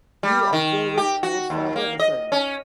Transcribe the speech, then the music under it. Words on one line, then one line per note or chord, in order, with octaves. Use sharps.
Few observers foresaw the result.
G3
D#3
G4
F#4
D#2
A#3
D#5
C#4